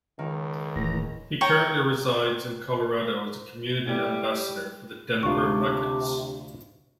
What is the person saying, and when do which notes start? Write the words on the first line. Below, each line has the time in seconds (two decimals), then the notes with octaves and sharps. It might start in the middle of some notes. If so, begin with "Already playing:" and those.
He currently resides in Colorado as a community ambassador for the Denver Nuggets.
0.19 C#2 D#3
0.76 D#1 A2 E3 D4 A#5
1.41 C#5 G5 A#5
3.86 A2 G3
5.23 D2 C3 D4 F4 C#6